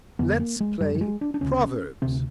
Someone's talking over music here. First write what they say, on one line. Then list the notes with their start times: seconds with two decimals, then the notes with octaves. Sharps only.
"Let's play proverbs."
0.19 F2 D3 B3
0.40 A#3
0.60 G#3
0.80 F#2 D3 G3
0.95 G3
1.01 G#3
1.21 D4
1.34 D4
1.41 D2 C#3 C#4
2.02 D2 C3 C4